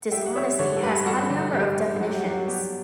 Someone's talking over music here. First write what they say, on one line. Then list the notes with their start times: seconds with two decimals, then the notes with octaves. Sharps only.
Dishonesty has had a number of definitions.
0.11 G3 E5 G5
0.26 F#5
0.35 G3 C#5 E5
0.59 D3 A4 C#5
0.77 A4
0.82 G2 G4 B4
1.06 G2 F#4 A4
1.30 D3
1.53 D3 G4
1.77 G2
2.00 F#3 F#4
2.09 G4
2.19 F#4
2.24 F#3 G4
2.37 F#4
2.47 B3 G4